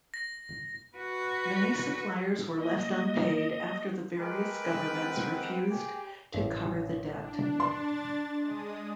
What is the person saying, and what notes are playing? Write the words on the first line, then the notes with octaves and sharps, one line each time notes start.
Many suppliers were left unpaid after the various governments refused to cover the debt.
A#6
F#4 B4
A#3 D#5
G#3 G4 A#4 B4 G5
C4 F#5
G4 G#4
A1
D4
D4 C6 A6
G#3 D#6